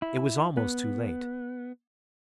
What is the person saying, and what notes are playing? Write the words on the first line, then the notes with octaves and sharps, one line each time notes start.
It was almost too late.
E4
B3